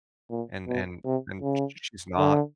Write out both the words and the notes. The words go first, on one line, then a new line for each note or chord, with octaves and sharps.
and and and sh sh she's not.
A#2
B2
C3
C#3
D3